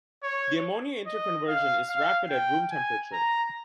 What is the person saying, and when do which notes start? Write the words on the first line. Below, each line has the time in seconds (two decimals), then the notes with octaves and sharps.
The ammonia interconversion is rapid at room temperature.
0.23 C#5
1.06 D#5
1.48 F5
1.89 F5
2.30 G5
2.71 G#5
3.13 A#5